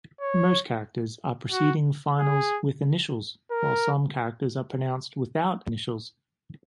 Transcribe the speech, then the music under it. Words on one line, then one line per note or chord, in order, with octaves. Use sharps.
Most characters are preceding finals with initials while some characters are pronounced without initials.
C#5
F#4
G#4
A#4